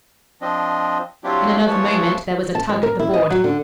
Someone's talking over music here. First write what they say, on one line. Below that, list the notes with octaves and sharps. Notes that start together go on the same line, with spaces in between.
In another moment there was a tug at the board.
F3 C4 D4 D#5
F#3 C4 D4 E4 F4 G4
E3 F3 A3 B4 C#5 A5
A5
G#3
A#4
E4
D#5
F#3
D3